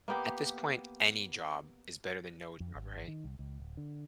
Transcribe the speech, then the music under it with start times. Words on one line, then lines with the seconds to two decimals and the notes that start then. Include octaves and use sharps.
at this point, any job is better than no job, right?
0.08 A#3 B3 G4
2.60 F2
2.75 G#1
3.08 D#3
3.24 C2
3.39 C#2
3.59 D1
3.77 D3